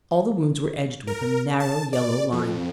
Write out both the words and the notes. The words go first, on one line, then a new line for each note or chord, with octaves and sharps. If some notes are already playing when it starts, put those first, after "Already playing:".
All the wounds were edged with a narrow yellow line.
A#4
A5
D5
F2